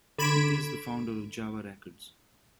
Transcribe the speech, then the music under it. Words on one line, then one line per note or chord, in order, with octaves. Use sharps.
He is the founder of Java Records.
D3 B5 G#6 B6 D7 E7